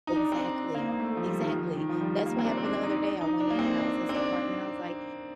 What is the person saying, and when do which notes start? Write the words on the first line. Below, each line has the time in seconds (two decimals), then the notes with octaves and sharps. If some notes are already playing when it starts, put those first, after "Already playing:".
Exactly. Exactly. That's what happened the other day. I went in and I was Instacart-ing and I was, like,
0.07 D#4
0.16 D4
0.25 D#4
0.32 C4
0.37 D4
0.74 A#3
0.89 A#3
1.00 A3
1.17 F3
1.25 G3
1.40 D#3
1.50 F3
1.76 D#3
1.89 F3
2.00 G3
2.26 A#3
2.39 C4
2.45 D4
2.58 C4
2.64 D4
2.83 D#4
3.02 D4
3.21 D#4
3.40 D4
3.50 A#3
3.59 C4
3.78 D4
4.09 C4
4.16 D4